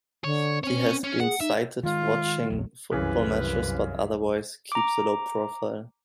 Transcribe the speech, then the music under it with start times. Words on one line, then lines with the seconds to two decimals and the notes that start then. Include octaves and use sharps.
He has been sighted watching football matches but otherwise keeps a low profile.
0.24 D3 C#5
0.64 C4 C#4 C#5
1.04 C#4
1.20 G#4 F#5
1.41 D#4 E5
1.83 D#3 G#3 F4
2.50 A#1 E2 F#3
2.92 C2 F#2 C#3 E3 B4
4.72 A#5 D6